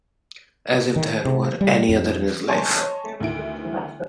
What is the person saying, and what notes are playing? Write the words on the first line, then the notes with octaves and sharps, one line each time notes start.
As if there were any other in his life!
D#3
C3
G3
F2
C#5 D#5 G#5 A5 C6
D2 D#3 E4 D7